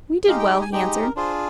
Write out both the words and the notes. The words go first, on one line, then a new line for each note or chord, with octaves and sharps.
"We did well," he answered.
G#3 D#4 G4 F5
G5
G5
G#5
G#3 D#4 G4 G5
A#4
D4 F4 G#4 C5